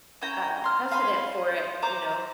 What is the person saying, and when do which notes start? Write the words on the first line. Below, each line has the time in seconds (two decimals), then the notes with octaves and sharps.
um, precedent for it, you know,
0.22 C#4 E4 G5 A#5
0.64 C6 F6
0.92 F5 G#5 B5 C6
1.82 C5 A#5 D6